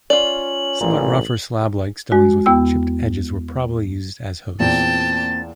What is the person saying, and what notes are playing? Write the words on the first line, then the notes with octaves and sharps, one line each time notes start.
Somewhat rougher slab-like stones with chipped edges were probably used as hoes.
C#4 F4 D5 F#7
A1 A#2
G#3 F#4
E2 B3 G5 E6
E2 A#2 A#3 C4 G5 A5 A6